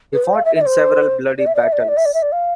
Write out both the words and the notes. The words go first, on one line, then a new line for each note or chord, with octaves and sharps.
He fought in several bloody battles.
B4
C5
F5
E5
E5
D5
C5
D5
E5
D5
E5
D5
E5
D5
E5
D5
E5
D5
F5